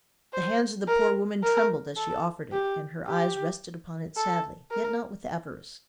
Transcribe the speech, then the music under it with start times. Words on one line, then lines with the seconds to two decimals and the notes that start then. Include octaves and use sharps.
The hands of the poor woman trembled as she offered it, and her eyes rested upon it sadly, yet not with avarice.
0.33 C5
0.88 A#4
1.43 A#4
1.97 A4
2.52 G4
3.07 G4
4.16 A4
4.71 A#4